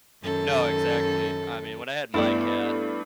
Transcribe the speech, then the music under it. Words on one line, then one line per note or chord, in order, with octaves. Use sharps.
No, exactly. I mean, when I had my cat,
F#2 D#3 A4
G2 A3 B3 E4 D5